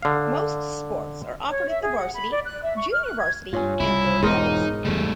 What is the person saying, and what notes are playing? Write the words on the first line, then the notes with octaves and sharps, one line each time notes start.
Most sports are offered at the varsity, junior varsity and thirds levels.
D3 F5
C#5
E5
G#4
F#5
B5
D5
F#6
E5
C#6
F6
F#6
G#6
G2 F4 C#5 G#5
C2 C#3 E4
E1 E2 G#2 D#4 A#4
E2 C#3 G3 A3